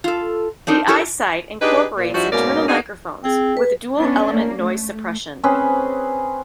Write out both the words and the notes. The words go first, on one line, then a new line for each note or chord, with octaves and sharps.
The iSight incorporates internal microphones with dual-element noise suppression.
F4 A4
C4 D4 D#4 A#4
E4 G4 A4 A#4 C#5 D#5
D4 D#4 G4 G#4 B4
A#2
G2 F3 G3 E4 F#4
G#2 B2 A#3 C#4 A#4 D5
B3 D4 D#4 F#4 G#4
C4 G#4 G5
B4
B3 C#4 D4
A#3
A3
C4 C#4 G#4 B4